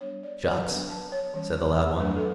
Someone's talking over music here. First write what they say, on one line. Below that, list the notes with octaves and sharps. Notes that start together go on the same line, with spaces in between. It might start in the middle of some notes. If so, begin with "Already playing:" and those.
"Shucks!" said the loud one.
G3 B3 D4 C#5
D5
D5
F#3 B3 D4 B4
A5
C#5
E3 G3 C#4
F#3 A3 D4 B4
A4